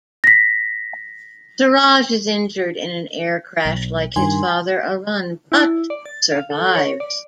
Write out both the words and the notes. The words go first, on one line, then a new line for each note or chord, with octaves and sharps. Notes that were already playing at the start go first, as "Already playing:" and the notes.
Suraj is injured in an air crash like his real father Arun, but survives.
A#6 B6
B1
G2 D#3 G#5 C6
E4
D5
A6
F5
A4
C#5
D5